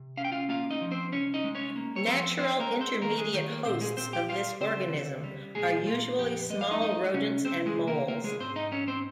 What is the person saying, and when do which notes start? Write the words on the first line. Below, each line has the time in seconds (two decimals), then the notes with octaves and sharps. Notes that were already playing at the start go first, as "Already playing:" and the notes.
Natural intermediate hosts of this organism are usually small rodents and moles.
Already playing: C3
0.17 C#4 F5
0.24 G5
0.32 F4 F5
0.49 A#3 F4 F5
0.71 D#4 D#5
0.81 F3
0.91 C4 C5
1.12 C2 C#4 C#5
1.34 D#4 D#5
1.44 G#3
1.55 C#4 C#5
1.76 A#3
1.96 C#5
2.07 F3 C4 C5
2.39 C4 D#4 C5
2.60 A#3 A#4
2.70 G#3
2.81 C4 C5
3.02 D#3 A#3 A#4
3.18 G#3 G#4
3.34 D#3 G4
3.50 A#3 A#4
3.65 A#2 C4 C5
3.81 G#3 G#4
3.97 A#2 C4 C5
4.13 G4 G5
4.29 G3 F4 F5
4.60 C#3 C4 C5
4.92 C#2
5.24 G3
5.55 A#2 G#3 G#4
5.87 A#2 F4
6.18 F2 G4
6.50 G#3 D#5
6.61 F5
6.71 D#4 D#5
6.82 G#3 D#4 D#5
7.14 C3 C#4 C#5
7.45 C3 C4 C5
7.66 G#3 G#4
7.77 C3
7.87 A#3 A#4
8.08 A#3 F4 A#4
8.24 G#3 G#4
8.40 G#2 C4 C5
8.56 D#4 D#5
8.71 C4 C#4 C#5
8.87 C4 C5